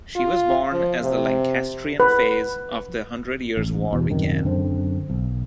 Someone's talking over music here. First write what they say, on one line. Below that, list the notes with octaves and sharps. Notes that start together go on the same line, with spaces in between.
She was born as the Lancastrian phase of the Hundred Years War began.
F4
F3
C3
B4
A1
E2 B2
D#1 F#2 C3 D#3
F#2 D3 B3 C4
B1